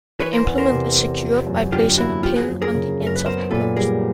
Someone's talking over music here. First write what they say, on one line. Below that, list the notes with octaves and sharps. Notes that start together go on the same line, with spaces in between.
The implement is secured by placing a pin on the ends of the posts.
E3 B4 C#5
A#4 C5
E2
A#4 C5
C3
E2
F3
F#2
D3 F4 G4
A#3 E4 F#4
F3 F4 G4
F#4 G#4
F#2
G#4 A#4
C#3
F#2
A#4
B4
B3 A#4 C5
A#2 A4 B4
G3 G#4 A#4